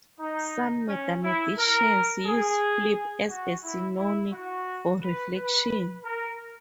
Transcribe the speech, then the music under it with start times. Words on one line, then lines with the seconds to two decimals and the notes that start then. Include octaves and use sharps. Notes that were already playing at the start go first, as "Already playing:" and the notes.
Some mathematicians use "flip" as a synonym for "reflection".
0.20 D#4
0.89 C#4
1.23 E4
1.58 A#4
2.26 G#4
3.30 F#4
3.64 E4
3.98 E4
4.33 F#4
5.02 B4
5.36 B4
6.05 A#4